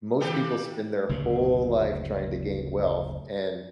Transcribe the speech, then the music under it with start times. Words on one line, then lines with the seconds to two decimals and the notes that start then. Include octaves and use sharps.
Most people spend their whole life trying to gain wealth, and
0.20 D#3 G4 A4
1.09 F#1 D2 A2 C#3